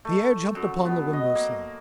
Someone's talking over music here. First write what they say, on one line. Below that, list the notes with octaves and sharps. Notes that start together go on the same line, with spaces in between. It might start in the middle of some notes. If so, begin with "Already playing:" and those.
Pierre jumped upon the window sill.
A3
F#2
B3
D#5
A#3